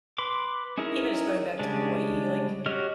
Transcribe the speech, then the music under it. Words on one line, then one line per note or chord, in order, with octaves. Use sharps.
even just going back to Hawaii, like,
B4 B5 C6 D6
C#4 D#4 E4 G#4 A#4
C#3 G3 G#3 D4
F#4 G4 C#5 D#5 F6